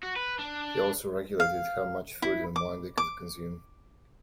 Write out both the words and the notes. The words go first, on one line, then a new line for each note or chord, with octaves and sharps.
He also regulated how much food and wine they could consume.
F#4
B4
D4
F5
E4
D6
D6